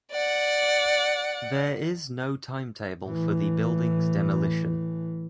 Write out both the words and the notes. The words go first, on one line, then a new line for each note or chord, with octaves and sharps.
There is no timetable for the building's demolition.
D5 F#5
A2 E3